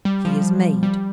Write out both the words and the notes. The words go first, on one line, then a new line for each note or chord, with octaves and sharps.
He is made.
G3
F3
G3